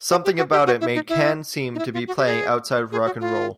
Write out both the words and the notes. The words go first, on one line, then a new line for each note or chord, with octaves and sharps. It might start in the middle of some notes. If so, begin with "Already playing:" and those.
Something about it made Can seem to be playing outside of rock 'n' roll.
F#4
G4
F#4
G4
F#4
E4
D#4
E4
D#4
E4
F4
F#4
G4
G#4
G#4
F#4
F4